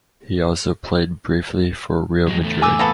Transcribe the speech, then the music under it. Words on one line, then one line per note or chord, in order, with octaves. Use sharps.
He also played briefly for Real Madrid.
F#3 G#3
E2 A3
G#5 D6 E6
A#3 B3 A4